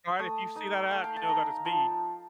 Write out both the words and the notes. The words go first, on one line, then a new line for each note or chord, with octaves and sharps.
Alright, if you see that app, you know that it's me.
A3 D#6
D#4 D#6
A3 F5
G5
A5
D#4 A#5
F3 A5